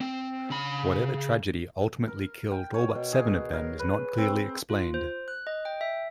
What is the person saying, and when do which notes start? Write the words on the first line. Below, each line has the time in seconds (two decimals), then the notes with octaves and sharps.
Whatever tragedy ultimately killed all but seven of them is not clearly explained.
0.01 C4
0.50 C#3 B5
2.08 A#4
2.52 G5
2.74 C#5
2.95 B2
3.13 G#4
3.53 A#4
3.79 B4
4.18 C4
4.70 F4
4.94 C5
5.28 F#6
5.47 D#5
5.65 G5
5.81 E5